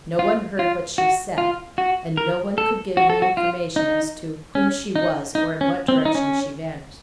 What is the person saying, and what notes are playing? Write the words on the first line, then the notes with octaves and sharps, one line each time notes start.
No one heard what she said; and no one could give any information as to who she was or in what direction she vanished.
F4
F4
F#4
F4
F#4
A#4
A4
F#4
A4
F#4
F4
D#4
C#4
D#4
D#4
C#4
C4
D#4
C#4